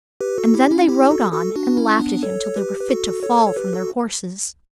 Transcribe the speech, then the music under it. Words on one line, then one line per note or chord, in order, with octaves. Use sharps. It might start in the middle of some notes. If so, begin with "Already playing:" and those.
And then they rode on, and laughed at him till they were fit to fall from their horses.
G4 B4
F#4 A4
E4 G4
C#4 E4
E4 G4
F#4 A4
F#4 A4
D4 F#4
C#4 E4
B3 D4
A4 C#5
G4 B4
B4
F#4 A4
A4 C#5
C#5
G4 B4
F#4 A4